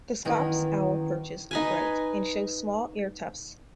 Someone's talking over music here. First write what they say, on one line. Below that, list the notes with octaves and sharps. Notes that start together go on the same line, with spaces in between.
The scops owl perches upright and shows small ear tufts.
F#2 D#3 E3 B3 D#5
D#4 B4 G#5